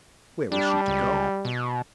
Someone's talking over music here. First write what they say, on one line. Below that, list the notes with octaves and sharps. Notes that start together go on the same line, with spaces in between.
Where was she to go?
G3 D4
C#2
B2